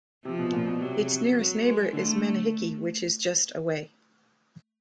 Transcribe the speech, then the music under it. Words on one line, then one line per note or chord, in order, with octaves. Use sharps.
Its nearest neighbour is Manihiki which is just away.
C3 F3
B2
A#2
B2
C3 F#3
F#3
G#3
D3 A3